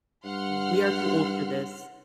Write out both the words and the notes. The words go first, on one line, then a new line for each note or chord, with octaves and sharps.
We are too old for this
G2 F#5 C6 F6